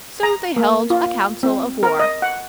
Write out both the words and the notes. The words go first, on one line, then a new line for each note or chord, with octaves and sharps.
So they held a council of war.
A#5
A#3
F4
C4
A#4
D#5
F#5